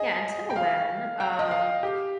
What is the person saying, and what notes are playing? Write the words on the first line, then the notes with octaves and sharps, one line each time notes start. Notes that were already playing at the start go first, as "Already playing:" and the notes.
Yeah, until then, um
Already playing: G#4 D#5
G5
F5
G5
D#5
F5
G4